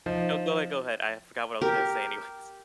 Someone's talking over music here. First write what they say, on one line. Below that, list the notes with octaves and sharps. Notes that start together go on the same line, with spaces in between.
No, go ahead, go ahead. I forgot what I was gonna say anyways.
F3 D#4
G4 A#4